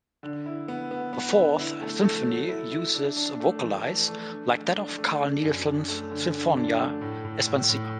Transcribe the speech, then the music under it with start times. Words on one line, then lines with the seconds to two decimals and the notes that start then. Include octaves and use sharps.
The fourth symphony uses a vocalise like that of Carl Nielsen's "Sinfonia Espansiva".
0.23 D3
0.46 E4
0.68 B3
0.91 B3
1.13 B3
1.37 D3
1.59 E4
1.81 A3
2.04 A3
2.26 F#3
2.49 E4
2.72 E4
2.94 D4
3.16 D4
3.40 A3
3.62 E3
3.85 A3
4.08 A3
4.30 D4
4.53 A3
4.75 D4
4.98 A3
5.20 D4
5.43 F#2
5.66 D4
5.88 A3
6.11 D3
6.34 D3
6.57 D4
6.79 A3
7.01 A2
7.25 A2
7.47 A2
7.69 A2